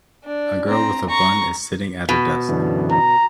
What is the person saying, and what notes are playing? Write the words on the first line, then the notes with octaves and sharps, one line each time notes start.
A girl with a bun is sitting at a desk.
D4
C4 A#5
A#5 C#6
B2
F#2 D3 E3
A#5